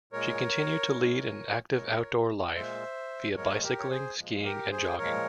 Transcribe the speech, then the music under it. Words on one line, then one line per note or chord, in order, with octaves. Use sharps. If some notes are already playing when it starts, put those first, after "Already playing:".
She continued to lead an active outdoor life via bicycling, skiing, and jogging.
A#2 G#3 A#4 C#5
A#2 G#3
A#2 G#3 A#4 C#5
A#2 G#3 C5 E5
A#2 F3 G#3 A#4 C#5
G4 A#4
C#5
G#4 C5
A#2 F3 G#3
G4 A#4
G#4 C5
A#2 F3 G#3 A#4 C#5